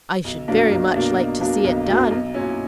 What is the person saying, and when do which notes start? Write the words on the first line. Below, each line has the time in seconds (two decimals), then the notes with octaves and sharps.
'I should very much like to see it done.
0.24 B1
0.48 B2 F#3 A#3 D4
0.71 B1
0.94 B2 F#3 A#3 D4
1.17 B1
1.41 B2 F#3 A#3 D4
1.64 B1
1.87 B2 F#3 A#3 D4
2.10 B1
2.34 A#2 F#3 C#4 E4